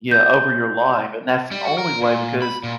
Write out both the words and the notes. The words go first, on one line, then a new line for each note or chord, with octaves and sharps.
yeah, over your life, and that's the only way because,
G6
G3
F#4
A#4
A#2
B5
A#2